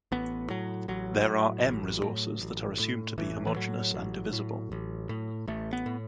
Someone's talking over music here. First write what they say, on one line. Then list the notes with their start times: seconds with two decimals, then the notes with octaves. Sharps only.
There are "m" resources that are assumed to be "homogeneous" and "divisible".
0.12 A1 B3
0.50 A2 F#3
0.88 A1 F#3
1.27 A2
1.65 A1
2.03 A2
2.41 A1
2.80 A2
3.18 A1 E3
3.47 E3
3.56 A2 F#3
3.94 A1
4.33 A2
4.72 A1
5.09 A2
5.47 A1 A3
5.73 B3
5.86 A2